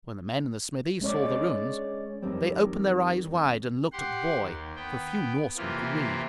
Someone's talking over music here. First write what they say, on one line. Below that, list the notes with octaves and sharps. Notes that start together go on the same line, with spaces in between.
When the men in the smithy saw the runes they opened their eyes wide and looked at the boy, for few Norsemen could read.
G#3 C#4 C#5 D5
F2 D#3 G3 C4 C#4
G4 F#5 C6
D#2
B3 G5
C3 E3 A#3 F4